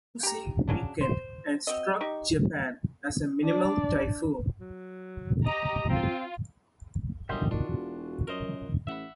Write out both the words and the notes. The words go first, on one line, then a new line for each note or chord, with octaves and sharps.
Lucy weakened and struck Japan as a minimal typhoon.
G4 A#5
C#3 F#3 D4
C5
C4 F#4 D#5
D#4 G4 C#6
D4 D5
F#3
G4 D#5 A#5
C4 F4
G1 F#2 G3 D#4 E5 G5 C6
D#3 D4 F4 F#4
E1
F#2 A#4 C5 D#5
A1 E5 F#5 B5